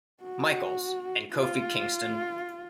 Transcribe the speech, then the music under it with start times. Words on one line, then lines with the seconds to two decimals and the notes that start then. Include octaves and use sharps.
Michaels, and Kofi Kingston.
0.22 F#4
1.32 F4